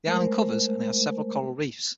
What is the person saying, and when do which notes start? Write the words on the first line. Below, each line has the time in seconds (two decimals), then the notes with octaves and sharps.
The island covers and it has several coral reefs.
0.06 G#3 A3 A#4 C5